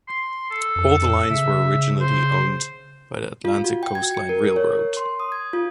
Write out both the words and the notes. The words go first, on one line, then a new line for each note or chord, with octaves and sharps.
All the lines were originally owned by the Atlantic Coast Line Railroad.
C6
A4
F2
C#3 E5
C5
F4
F#4
G5
G#6
C#7
A#4
A#4
C#5
C6
D#6
G#6
F4